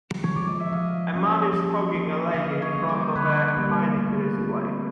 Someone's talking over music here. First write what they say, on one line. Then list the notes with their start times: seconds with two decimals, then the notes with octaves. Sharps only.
A man is hugging a lady in front of a Heineke display.
0.23 C#5
0.31 F3 G#3 D5
0.47 D#5
0.60 E5
0.72 F3 D#5 F5
1.13 A#3 C#4
1.53 F3
1.94 A#3 C#4
2.34 D3 D#5 F5
2.62 C#5 D#5
2.75 G3 A#3
2.88 C5 D5
3.15 D3 B4 C#5
3.56 G3 A#3
3.97 A3
4.38 C4 F4